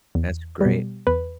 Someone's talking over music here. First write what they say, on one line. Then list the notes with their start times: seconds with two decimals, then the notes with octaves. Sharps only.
That's great.
0.15 E2
0.61 B2 G3
1.07 E2 B4